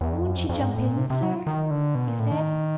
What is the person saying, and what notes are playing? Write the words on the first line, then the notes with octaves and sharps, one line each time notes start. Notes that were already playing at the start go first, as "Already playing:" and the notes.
"Won't you jump in, sir?" he said.
E2
F2
F#2
F2
F2
G#2
A2
A#2
C3
C3
F#3
D#3
D3
B2
A#2
A2
D#3